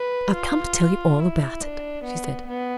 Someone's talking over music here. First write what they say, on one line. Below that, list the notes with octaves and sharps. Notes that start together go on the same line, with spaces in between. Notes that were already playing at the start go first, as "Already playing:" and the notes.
"I've come to tell you all about it," she said.
Already playing: B4
F4
E4
D4
B3
B3